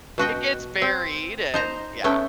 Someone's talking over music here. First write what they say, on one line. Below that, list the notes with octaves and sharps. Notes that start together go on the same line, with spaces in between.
It gets buried and yeah.
B2 F#4 D#5 G5
C4
D#4 C5 A#5
A3 B3 C#4 G5